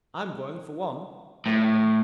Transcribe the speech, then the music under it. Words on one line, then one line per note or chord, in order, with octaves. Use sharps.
"I'm going, for one," said Adam.
A2